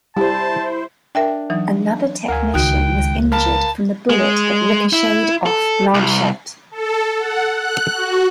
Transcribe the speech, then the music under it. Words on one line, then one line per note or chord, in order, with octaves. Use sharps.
Another technician was injured from the bullet that ricocheted off Blanchette.
G3 E4 C5 A5
D4 A#4 E5 G5
E3 F#3 D#4
D2 A#4 F5 G#5
C#2 D#3 G#3 D#4 F#4 G5 F#6
A#4 F5 A5 B5
G#3
E4
A4
C2
A4
F#5
F#6
F#4